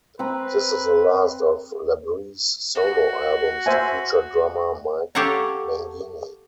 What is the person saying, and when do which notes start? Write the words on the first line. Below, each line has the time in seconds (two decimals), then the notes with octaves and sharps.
This is the last of LaBrie's solo albums to feature drummer Mike Mangini.
0.19 C4 B4 A#5
2.75 F#4
3.66 C5 E5 G#5
5.15 G4 A4 C#5 F5 F#5 A#5